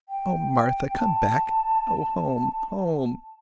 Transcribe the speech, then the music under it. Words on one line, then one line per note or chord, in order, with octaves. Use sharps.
Oh, Martha, come back! Oh, home, home!'
G5
G5
A5